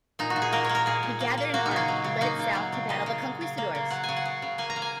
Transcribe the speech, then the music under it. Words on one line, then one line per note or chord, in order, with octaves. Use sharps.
He gathered an army and led it south to battle the conquistadors.
A#2 D#4
F#4
A#2
G#4
A#3 A#4
A#3 C#5
A#4
A#2 G#4
A#2
A#3
A#3
A#3 F#4
D#4
C#3 C#4
F#3
C#3
A#3 D#4
C#3
F#3
C#3
A#3 D#5
C#3
F#3
C#3
A#3
C#3
F#3 F#5
G#5
C#3
F#5
C#3
C#3
A#3 G#5
A#5
A#3
G#5